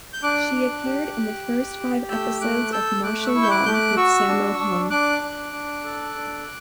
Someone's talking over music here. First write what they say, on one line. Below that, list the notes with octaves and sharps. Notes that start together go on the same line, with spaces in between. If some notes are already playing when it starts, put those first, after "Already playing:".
She appeared in the first five episodes of "Martial Law" with Sammo Hung.
G6
D4 D6 F#6
D4
G4
G4
G4
G4
A3 E6 G6
A3 D6 F#6
A4 E6 G6
A3 D6 F#6
F#6
C#6 E6
E4
G6
D6 F#6
A3 G6
D6 F#6
F#4 C#6 E6
D4
D4
D4 D6 F#6
D4
D4
A4
D4